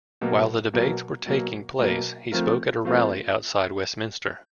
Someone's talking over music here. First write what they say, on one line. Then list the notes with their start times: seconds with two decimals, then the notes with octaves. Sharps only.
While the debates were taking place he spoke at a rally outside Westminster.
0.21 B2 F#3 A#3
0.73 B2 F#3 A#3
1.26 B2 F#3 A#3
1.79 B2 F#3 A#3
2.32 F3 A3 C4 F4 A#4
2.85 F3 A3 C4 F4 A#4